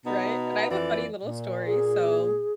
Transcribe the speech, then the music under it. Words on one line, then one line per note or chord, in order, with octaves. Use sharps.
Right? And I have a funny little story, so
B2 B3 D#4
F2 E3 D5
A#2
G#4